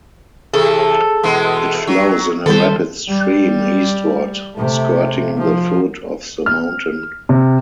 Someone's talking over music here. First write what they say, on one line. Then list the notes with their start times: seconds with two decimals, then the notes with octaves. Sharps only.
It flows in a rapid stream eastward, skirting the foot of the mountain.
0.54 C3 E3 G#4 A4
1.23 B2 E3 G#3
1.87 F#3
2.46 D#3 G3 B3 A4 C5
3.08 G3
4.57 C3 A3
5.37 F3
6.46 F6
7.29 C3